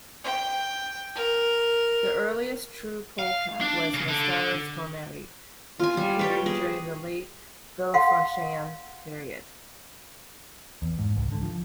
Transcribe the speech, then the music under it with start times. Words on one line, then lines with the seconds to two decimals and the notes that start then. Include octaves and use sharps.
The earliest true polecat was "Mustela stromeri", which appeared during the late Villafranchian period.
0.24 G5
1.15 A#4
3.19 F5
3.61 D4
3.94 C#3
4.08 D3
5.80 F4 G#5
5.97 G3
6.19 B4 C#5 G5
6.46 G#4
7.94 F5 F#5 C6
10.82 E2
10.99 G#2
11.17 C#2
11.32 D3
11.43 F3